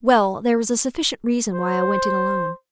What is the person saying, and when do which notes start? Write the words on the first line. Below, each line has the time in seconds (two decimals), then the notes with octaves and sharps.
"Well, there was a sufficient reason why I went in alone."
1.54 C5